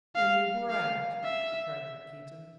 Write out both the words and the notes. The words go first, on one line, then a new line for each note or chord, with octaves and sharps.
"And you bragged!" cried Rakitin.
F5
F5
E5